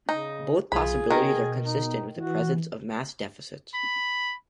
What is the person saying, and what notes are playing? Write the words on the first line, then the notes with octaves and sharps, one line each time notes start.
Both possibilities are consistent with the presence of mass deficits.
C#3 D#4
B1 F4 G#4 B5
B2 D#3 A#4
D#4
E3 F#4
B5